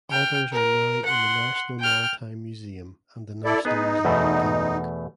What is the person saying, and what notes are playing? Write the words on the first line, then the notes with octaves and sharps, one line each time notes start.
Others are now in the National Maritime Museum and the National Museum of Denmark.
G5 F6
A#4
F#5 C6
G5 F6
E4 A4 D5
B3 D#4 G#4 B4
E2 B2 A3